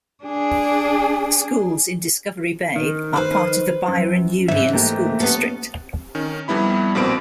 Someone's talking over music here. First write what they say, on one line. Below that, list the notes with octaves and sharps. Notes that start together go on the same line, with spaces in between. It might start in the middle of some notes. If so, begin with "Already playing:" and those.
Schools in Discovery Bay are part of the Byron Union School District.
D4 G#4
D#3
B4 C5
F#2
G#2 E3 E5
A3 A#3 G4
B3 C#4 A4
D#3 C#4
F2 G3 B3 E4 B5
A#1 B2 A#3 C4 D7